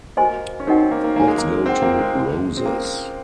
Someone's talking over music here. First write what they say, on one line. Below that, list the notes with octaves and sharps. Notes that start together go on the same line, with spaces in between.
Let’s go to Roses.
A#3 F#4 C5 D#5 G#5 C6
C#4
C4 D#4 F#4 A#4 D#5 F#5
A#3
A#3
A#3 D#4 F#4 C#5 G#5
G#3
A#3
C4 C5 F#5 C6
A#3
G#3
C5 F5 C6
C4
A#3 C#4 F4 C5